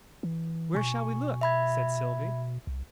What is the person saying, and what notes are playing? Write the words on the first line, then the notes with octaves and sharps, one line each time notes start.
"Where shall we look?" said Sylvie.
E3
B2 G#5 C#6
E5 B5 G#6
C2